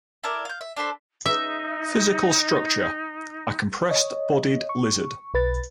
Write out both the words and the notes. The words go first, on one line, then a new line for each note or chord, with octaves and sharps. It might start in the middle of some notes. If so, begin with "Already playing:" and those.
Physical Structure: A compressed bodied lizard.
E4 A4 A#4 D5
F5 G6
E5
D4 A4 C5 B5
D#4 E5
C#5 D#5
C#6
B1 B4 A6